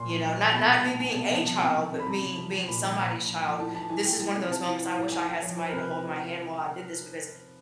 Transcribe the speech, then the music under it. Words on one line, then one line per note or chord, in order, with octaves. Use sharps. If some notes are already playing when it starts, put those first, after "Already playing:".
you know, not not me being a child, but me being somebody's child, this is one of those moments I wish I had somebody to hold my hand while I did this because
Already playing: A#2 C6
F3
F3
F3
B2 B5
B2 A#5
B2 A5
B2 G#5
C3 A5
F3 A5
F3 A5
C3
F3
C3
B5
C3 A#5
C3
F3
F3
A#2 B5
F3 A#5
B5
A#2
A#5
A#2
F3
F3
A2 A5
E3 A5
E3 G#5
E3 G5
E3 G5
C3
C3 A5
E3
E3
A2
E3 G#5
E3 G5
F3 C#5
F3 C5
A#4
C3 B4